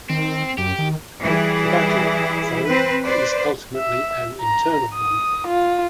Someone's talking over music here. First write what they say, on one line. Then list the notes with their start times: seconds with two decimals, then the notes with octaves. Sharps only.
The battle, though, is ultimately an internal one.
0.10 D#3 C4
0.58 F#2 G4
0.79 D#3
1.21 E3 G3 E4 G#4
2.63 C4 B4
3.05 B4 C5 D5
3.76 E5
4.41 A#5
4.95 D#6
5.47 F4